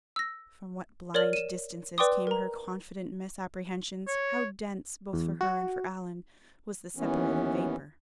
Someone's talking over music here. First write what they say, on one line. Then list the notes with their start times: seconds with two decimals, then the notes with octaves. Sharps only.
From what blind distances came her confident misapprehensions, how dense, both for her and for Allan, was the separating vapor!
0.16 E6 A#6
1.14 A#4 C#5 D5 F6 F#7
1.33 D#7 E7
1.98 B4 D5 G5 C6 D6 D#6
2.27 A#4 A#5
4.07 C#5
5.13 E2
5.41 F#4
6.97 D#2 E3 B3 C#4